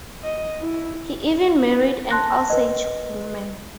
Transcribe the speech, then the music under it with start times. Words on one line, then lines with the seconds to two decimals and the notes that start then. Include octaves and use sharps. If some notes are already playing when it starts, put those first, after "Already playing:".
He even married an Osage woman.
0.24 D#5
0.61 E4
2.10 A5 C6 F#6 A#6
2.50 B4 D#5